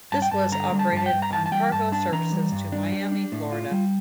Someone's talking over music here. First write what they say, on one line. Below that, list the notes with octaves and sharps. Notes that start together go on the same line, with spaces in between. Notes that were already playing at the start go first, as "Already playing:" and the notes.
This was operated on cargo services to Miami, Florida.
G2 A5
G5
G2 A5
D3 A#5
G3
A5
G2 A5
G5
G2
A#5
E3 A5
A5
G3 G5
G2 A5
D4 A5
E3 A#5
G3
G2
D4
G3
D4
A2
F4
G3